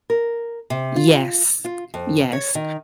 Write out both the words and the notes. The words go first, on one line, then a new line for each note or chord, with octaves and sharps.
Yes, yes.
A#4
C3
F4
F4
F2
C#5
D#3